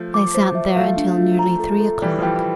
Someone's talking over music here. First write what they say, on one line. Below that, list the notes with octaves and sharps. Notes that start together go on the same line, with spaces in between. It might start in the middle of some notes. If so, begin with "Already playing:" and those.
They sat there until nearly three o'clock.
Already playing: F3 A3
D6
C5
E5
F3 A3 F5
D4
F4
A#5
A4
A4
E3 G3 D5
F3
E3 G3 G5
E3